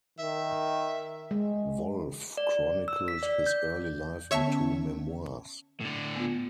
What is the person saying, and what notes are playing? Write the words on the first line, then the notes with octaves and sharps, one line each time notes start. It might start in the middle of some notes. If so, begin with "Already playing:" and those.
Wolff chronicled his early life in two memoirs.
D#3 E5
G#3
D5
E6
B6
D5
G6
D3 B3 C#5 E5 A5 C#6
C#4
A2 D3
B3 F4